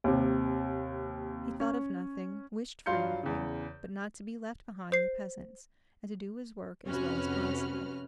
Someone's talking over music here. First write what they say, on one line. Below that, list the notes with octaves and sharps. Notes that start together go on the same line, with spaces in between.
He thought of nothing, wished for nothing, but not to be left behind the peasants, and to do his work as well as possible.
D#2 C3
C#4
G2 F#3 F4 C6 G6 C#7
E2 C#3
C5 C7
F2 C3 C#4 F#4 B4 F6